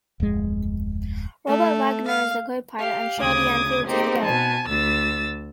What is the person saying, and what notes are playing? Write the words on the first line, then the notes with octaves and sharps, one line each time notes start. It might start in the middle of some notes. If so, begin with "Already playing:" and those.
Robert Wagner is the co-pilot and Shirley Anne Fields is the girl.
D1 F2 G#3
A3
F5
G4 F5
D2 C#3 D6 D#6 G#6
A#3 C4 D#4 G4 G#4
B2 G#5 A5
D2 E6 A6